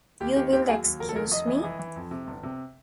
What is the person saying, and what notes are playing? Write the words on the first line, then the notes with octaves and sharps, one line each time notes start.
You will excuse me.
D#2 G4
D#3 G4
D#2 G4
F#3 G#4
D#2
F1 A#4
A4
F1 A#4
F1 D#5
E3
E3
E3
F2
C3
G1
C3